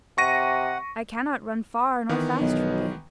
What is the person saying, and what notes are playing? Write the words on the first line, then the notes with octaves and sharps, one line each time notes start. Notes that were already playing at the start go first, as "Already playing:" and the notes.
I cannot run far or fast from thee.
C3 F#5 C#6 A#6 D#7
D#3 E3 B3
B1